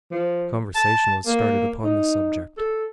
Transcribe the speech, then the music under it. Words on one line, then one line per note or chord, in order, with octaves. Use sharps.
Conversation was started upon this subject.
F3
A5
A#3
D#4
A4